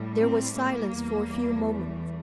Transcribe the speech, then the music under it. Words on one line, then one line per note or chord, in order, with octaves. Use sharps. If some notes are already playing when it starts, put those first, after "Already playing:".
There was silence for a few moments.
Already playing: A2 G3
C4
A#3
E2 E3 G3
A3